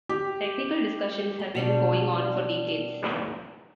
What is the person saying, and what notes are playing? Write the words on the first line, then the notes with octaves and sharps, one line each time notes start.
Technical discussions have been going on for decades.
G4
B2 G3 D4